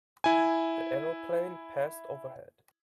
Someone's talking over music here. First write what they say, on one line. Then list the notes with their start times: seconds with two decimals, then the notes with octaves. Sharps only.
The aeroplane passed overhead.
0.24 E4 G#5